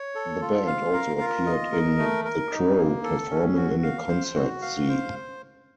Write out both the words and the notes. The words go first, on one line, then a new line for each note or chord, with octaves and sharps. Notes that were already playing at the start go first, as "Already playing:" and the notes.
The band also appeared in "The Crow" performing in a concert scene.
Already playing: C#5
A4
F4
F5
A#4
F4
D#5
A#4
A3
A#4
D#4
A#3
A4
C#4
F#4
F5
C5
F#4
F5
C5